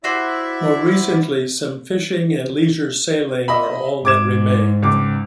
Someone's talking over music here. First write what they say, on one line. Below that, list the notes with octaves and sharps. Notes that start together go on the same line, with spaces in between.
More recently, some fishing and leisure sailing are all that remain.
E4 F#4 C5 D5 E5
D#5 E5 B5
G#2 D6 G#6 E7
C#2 D6